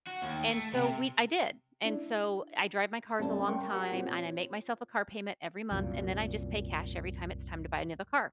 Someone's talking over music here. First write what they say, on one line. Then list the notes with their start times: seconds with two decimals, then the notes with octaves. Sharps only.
and so we I did, and so I drive my cars a long time, and I make myself a car payment every month, and then I just pay cash every time it's time to buy another car,
0.07 F#4
0.22 D#2
0.48 A3
0.73 C3
1.83 D4 E4
3.19 C2 G2 C#3 C#4 D5 A5
3.48 A#4 G5 C6 C#6
3.72 G4 A#4 F#5
3.92 A#2 C4 C#5
5.71 C2 F#2 A#2